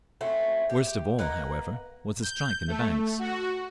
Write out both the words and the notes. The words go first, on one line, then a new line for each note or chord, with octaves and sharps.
Worst of all, however, was the strike in the banks.
A3 C4 C#4 F#4
G4
A#3 B4 D#5 F#5
G6
A3
F#4